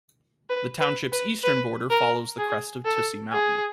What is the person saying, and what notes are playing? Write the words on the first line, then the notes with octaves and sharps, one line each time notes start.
The township's eastern border follows the crest of Tussey Mountain.
B4
B4
B4
B4
A#4
G#4
A4
G#4